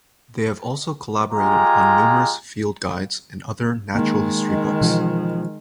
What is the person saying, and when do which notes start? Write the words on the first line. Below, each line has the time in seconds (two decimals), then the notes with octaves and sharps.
They have also collaborated on numerous field guides and other natural history books.
1.33 G#3 F4 G4 G#5 A#5
3.95 D#3 G#3 A#3
4.81 B2 E3 F3